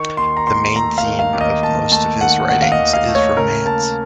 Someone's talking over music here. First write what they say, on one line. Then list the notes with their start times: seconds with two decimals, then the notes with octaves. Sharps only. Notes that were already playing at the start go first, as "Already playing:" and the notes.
The main theme of most of his writings is romance.
Already playing: D#3 C#6
0.17 D#2 C6
0.37 A#5
0.47 D#2 C6
0.75 A3 A#5
0.98 F5
1.05 D#3
1.19 F5
1.33 D#2
1.41 D#5
1.63 D#2 A5
1.92 A3 A5
2.21 D#3 F#5
2.49 D#2 F#5
2.62 F5
2.72 D#5
2.79 D#2
2.93 F5
3.08 A3
3.15 C#5
3.36 C#3 A#4
3.65 A#3 A5